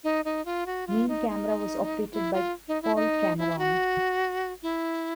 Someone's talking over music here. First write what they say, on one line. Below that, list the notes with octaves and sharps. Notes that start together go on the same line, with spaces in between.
Main camera was operated by Paul Cameron.
D#4
D#4
F4
F#4
F4
D#4
D#4
E4
F4
D#4
E4
D#4
E4
F#4
E4